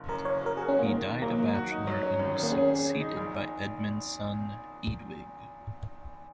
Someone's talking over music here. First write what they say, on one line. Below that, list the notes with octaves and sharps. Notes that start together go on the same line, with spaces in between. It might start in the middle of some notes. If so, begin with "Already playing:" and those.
He died a bachelor, and was succeeded by Edmund's son Eadwig.
Already playing: F#1
F#2 A#4
F#1 C#5
F#3
A#4
F#4 G#4
C#4
G#3
A#3
D#3
D#3
F#3 A#3
F#3
F#4
D#4
F#3
C#4
G#1
G#1
A#3
C#4 G#4
G#4
G#4
D#4
A#1
A#1